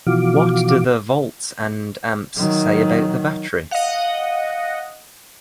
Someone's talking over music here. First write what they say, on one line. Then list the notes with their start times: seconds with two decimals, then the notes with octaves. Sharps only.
What do the volts and amps say about the battery?
0.07 B2 E3 F3 F#4 F5 D6
2.36 D#3 F#3
3.71 D#5 F5 F#5